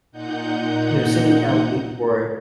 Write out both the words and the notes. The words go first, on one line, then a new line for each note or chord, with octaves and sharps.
you know, sitting down with me for
A#2 D#4 F#5 G6